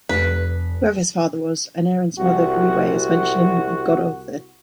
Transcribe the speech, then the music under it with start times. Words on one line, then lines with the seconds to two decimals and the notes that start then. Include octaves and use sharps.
Whoever his father was, Aneirin's mother, Dwywei is mentioned in "Y Gododdin".
0.09 F1 B4
2.18 C2 F#4